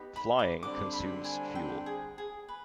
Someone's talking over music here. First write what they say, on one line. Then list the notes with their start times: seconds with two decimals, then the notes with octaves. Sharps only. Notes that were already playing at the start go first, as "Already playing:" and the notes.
Flying consumes fuel.
Already playing: B3 D#4 G4 B4
0.16 B5
0.39 D6
0.63 D3 G3 C4 D6
0.93 B5
1.24 G#5
1.55 G5
1.86 G#4
2.18 G#4
2.49 B4